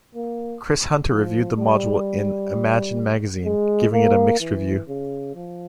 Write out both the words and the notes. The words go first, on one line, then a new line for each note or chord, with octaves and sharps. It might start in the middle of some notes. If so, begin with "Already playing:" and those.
Chris Hunter reviewed the module in "Imagine" magazine, giving it a mixed review.
A#3
F3
G3
G#3
A#3
E3
C#3
F3